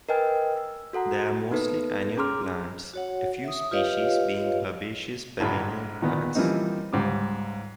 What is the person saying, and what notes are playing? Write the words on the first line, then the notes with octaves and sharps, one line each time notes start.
They are mostly annual plants, a few species being herbaceous perennial plants.
A#4 B4 D#5 G5 G#5 F6
E6
F#4 A4 F#5 A#5
A#3 B3 D#4 A4 B4
C#4 G#4 A#5 C6 D6 F6
F#4 C#5 F#5
E5 D#6
F4 G4 B4 C#5 D#5 F5
A#1 G#2 G#3 B5
A#2 D#3 B3
E3 F3 G3 A#3 C4 D#4
C#2 G#2 G3 D6